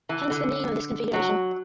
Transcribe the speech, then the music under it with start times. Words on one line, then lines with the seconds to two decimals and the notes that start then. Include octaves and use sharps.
Hence the name of this configuration.
0.09 E3
0.30 D3
1.13 F#3